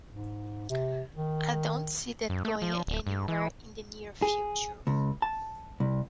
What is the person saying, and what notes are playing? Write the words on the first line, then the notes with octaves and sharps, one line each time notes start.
I don't see that going anywhere in the near future.
G#2
C3
D#3
F#2
A3
F3
D1
G2
E3
G#4
C#2
A5
C2